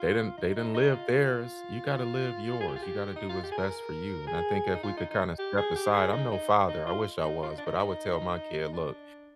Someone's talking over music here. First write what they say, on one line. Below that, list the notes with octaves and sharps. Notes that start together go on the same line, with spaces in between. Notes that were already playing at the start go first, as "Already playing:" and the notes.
They didn't they didn't live theirs. You gotta live yours. You gotta do what's best for you, and I think if we could kinda step aside I'm no father. I wish I was, but I would tell my kid, "Look,
Already playing: F4
D#4
D#4
D#4
F4
G#4
G4
F4
G4
D#4
F4
G4
G#4
A#4
G#4
D#4
F4
D#4
D#4
G4
G#4
G4
G#4
D#4
D#4
D#4
F4
D#4
F4
D#4
D4
D#4
D4